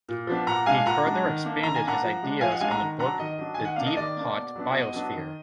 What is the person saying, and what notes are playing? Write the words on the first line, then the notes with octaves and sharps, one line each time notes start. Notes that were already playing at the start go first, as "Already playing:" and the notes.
He further expanded his ideas in the book "The Deep Hot Biosphere".
A#2
F3 B3 D4
A#2 F#5 A#5
G#3 D4 F5 G#5
A#2 F#5 A#5
G#3 D4
D#3
A#3 D4
D#3 A#5
G#5
A#3 D4 F#5 A#5
F3
G#3 D4
F3 F5 G#5
D#5 F#5
G#3 D4 F5 G#5
F#5 A#5
D#3
F#3 D4 F#5 A#5
D#3 D#5
F#3 D4
D#3 G#5
F#5
A#3 D4 F5
D#5
D#3 D5
A#3 D4
B2
F#3 B3 D4
B2 D#5
F#3 B3 D4
D#3